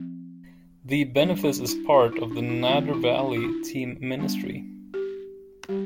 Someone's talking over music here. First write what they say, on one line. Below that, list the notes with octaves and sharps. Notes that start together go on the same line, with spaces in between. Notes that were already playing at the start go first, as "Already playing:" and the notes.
The benefice is part of the Nadder Valley team ministry.
Already playing: F3 C4
G3 D4 B4
D4
E4
F4
E4
D4
E4
E3 A3 C4 F4
E4
D4
F4
E4
G3 B3 D4
G4
G3 G4